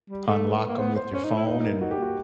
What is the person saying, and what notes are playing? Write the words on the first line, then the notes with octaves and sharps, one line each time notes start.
unlock 'em with your phone, and
G3
A3
B4
A3
A#3
B3 C5
C5
C#4 C5
D#4
E4
D#4 B4
A#4
D#4 F#4
G4
A#3 F#4